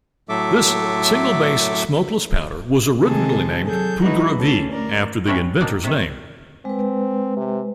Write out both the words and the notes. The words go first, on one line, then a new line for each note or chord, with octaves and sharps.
This single-base smokeless powder was originally named "Poudre V" after the inventor's name.
A2 F#3 A3 A4 E5 D6
C3 D#3 G#3 G#4 A4
F#3 G#4 A4 G6
F#3 G#3 D#4 E4 F#4 B4
D2 C#4 A4
A3 A#4 D5
A#2 E3 G3 C#4 D4 E5
A#3 D4 D#4 D5 F5 G5
C3 D#3
G#3 C4 B4
C3